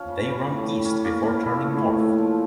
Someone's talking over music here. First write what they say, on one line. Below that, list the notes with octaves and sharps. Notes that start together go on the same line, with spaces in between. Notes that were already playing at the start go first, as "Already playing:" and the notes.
They run east before turning north.
Already playing: F3 C#4
C#3
G3
A2
G3
G3 C#4
G3 A#3
G3 C#4
F3 E4
A2
A2
A#2
F3